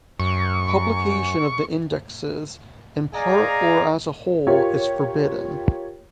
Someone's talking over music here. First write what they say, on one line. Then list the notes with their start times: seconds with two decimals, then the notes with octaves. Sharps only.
Publication of the indexes, in part or as a whole, is forbidden.
0.20 F#2 C#6
3.14 G#4 D5 D#5 F5 G#5 A#5
4.47 F4 G4 A#4 C#5